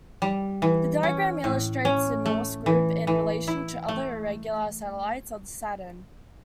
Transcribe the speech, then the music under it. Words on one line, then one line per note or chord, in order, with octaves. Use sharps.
The diagram illustrates the Norse group in relation to other irregular satellites of Saturn.
G3
E3
C#4
A2
C#4
A3
E3
E3
E4
A3